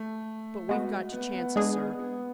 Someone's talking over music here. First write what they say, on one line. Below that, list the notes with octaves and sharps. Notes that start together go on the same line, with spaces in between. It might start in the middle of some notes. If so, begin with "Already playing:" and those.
But we've got to chance it, sir.
Already playing: A3
G#3 B3 F#4
B3
B3
G#3 D4 G#4
B3